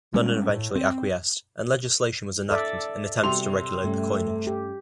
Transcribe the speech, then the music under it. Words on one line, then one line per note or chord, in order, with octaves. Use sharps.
London eventually acquiesced and legislation was enacted in attempts to regulate the coinage.
G3 G#3 C#4
A2
C4
A4 D5 E5
C3 G3 F#4 C6 F7
G2 G3 A3 C#4
G4